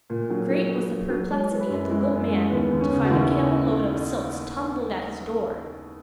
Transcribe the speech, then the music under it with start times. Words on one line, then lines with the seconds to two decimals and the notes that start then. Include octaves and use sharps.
Great was the perplexity of the good man to find a camel-load of silks tumbled at his door!
0.10 A#2
0.30 F#3
0.50 F#3
0.69 F#3
0.90 F#3
1.10 F#3
1.30 G#3 C#5
1.50 E3
1.60 B4
1.70 F#2
1.90 G#3 E4
2.10 F#2
2.31 G#3
2.50 D#2 B3
2.71 D#2
2.81 C#4
2.91 C#3
3.05 F#4
3.10 D#2 E4
3.31 C#3